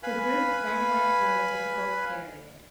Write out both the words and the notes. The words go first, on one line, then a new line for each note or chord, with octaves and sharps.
The group then went through a difficult period.
B4 F5 G#5 B5